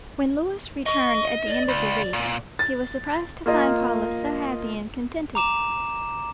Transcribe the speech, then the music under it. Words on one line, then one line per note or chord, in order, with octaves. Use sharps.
When Louis returned at the end of the week, he was surprised to find Paula so happy and contented.
D#5 C#6
D5
C#2
A#2
A6
A#3 F4 D#5
A#5 D6 E7